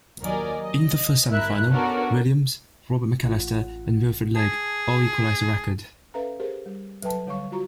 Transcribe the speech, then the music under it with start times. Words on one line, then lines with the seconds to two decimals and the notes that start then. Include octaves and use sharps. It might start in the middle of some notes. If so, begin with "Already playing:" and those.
In the first semifinal, Williams, Robert McAllister, and Wilfred Legg all equalized the record.
0.23 D#2 F#3 A#4 D5 D#5 G#5
0.62 D#5
1.29 G1 E4 A#4 E5 F#6
1.70 B3 C#4 D4 F#4 A4 A#4
3.24 A1 F4 F#5
4.36 G#4 A5 G#6
6.14 C#4 A4 B4 E5 F5 A#5
6.40 G4 G#4 A#4 C5
6.66 G3
7.02 F#3 A4 B4 E5 G5 A5
7.27 D3 G3 C#5 F5 C#6
7.52 F4 F#4 A#5 C#6